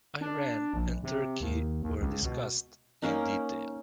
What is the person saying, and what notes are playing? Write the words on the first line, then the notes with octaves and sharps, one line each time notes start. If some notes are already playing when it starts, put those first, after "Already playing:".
Iran and Turkey were discussed in detail.
D4
A#1
C3
D#2
D#2
C#2
B2
A#3 C#4 D#4